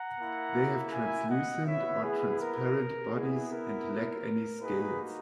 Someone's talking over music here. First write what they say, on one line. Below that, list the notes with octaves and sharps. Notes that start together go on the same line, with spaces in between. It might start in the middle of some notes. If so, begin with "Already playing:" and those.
They have translucent or transparent bodies, and lack any scales.
Already playing: F#5 A#5
A#3 E4
E5 G#5
D#5 F#5
B3 E4 C#5 E5
G#4
A#4
B3 E4 G#4
A#4
A#3 D#4 F#4 G#4 B4